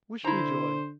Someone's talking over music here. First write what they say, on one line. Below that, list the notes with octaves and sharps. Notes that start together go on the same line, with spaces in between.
Wish me joy.
D3 E4 C5 A#5